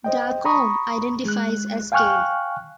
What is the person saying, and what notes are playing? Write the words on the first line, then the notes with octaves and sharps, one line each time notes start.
Darkholme identifies as gay.
C5 D#5 G5
A#5 B5 C#6 D#6
G#3 F#6
F5 G5 G#5 C#6 F6 F#6